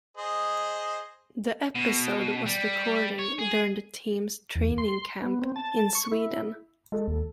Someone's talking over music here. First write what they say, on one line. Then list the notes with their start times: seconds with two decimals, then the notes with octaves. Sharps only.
The episode was recording during the team's training camp in Sweden.
0.17 G#4 C5 D#5
1.76 B2
2.46 G3
3.19 C#5
3.39 G#4
4.55 E2
4.78 C6
5.22 B3
5.42 C4
5.56 A5
5.95 C#6
6.12 E4
6.92 G#3 A4
7.08 D#2